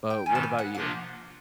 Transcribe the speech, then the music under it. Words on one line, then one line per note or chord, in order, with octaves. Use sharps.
But what about you?
G5
G#2 D#3 G3 G#5
A5
G#5
F#5
C3 F3 A#3 D4 F4 F#5